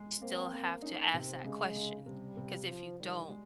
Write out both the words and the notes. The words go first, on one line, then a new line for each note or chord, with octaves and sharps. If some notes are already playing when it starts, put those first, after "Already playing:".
still have to ask that question, 'cause if you don't,
Already playing: G#3
A#3 C4
A#3
C#4 D#4
C3 C4
C#3 G#3
C#3
C3 G3
C3
F3 C5
D#3 G3
G#3